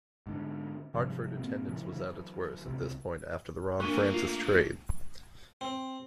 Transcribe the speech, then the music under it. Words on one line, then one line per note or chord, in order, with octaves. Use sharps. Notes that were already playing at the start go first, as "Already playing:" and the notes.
Hartford attendance was at its worst at this point after the Ron Francis trade.
G#2 D3
G#2 C3 F3 G3
A#2 A#3 C4
A2 C#3 E3 F3
E3 F#3
C#2 C3
A3 A#3 D4 A#4 C#6 F#6 D#7 G7
F4
C4